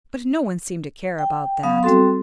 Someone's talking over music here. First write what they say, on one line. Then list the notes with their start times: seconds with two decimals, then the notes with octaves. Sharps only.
But no one seemed to care about that.
1.19 G5
1.63 F#3 B3 F5 D#6
1.83 G3 C4 F#4 A4 C6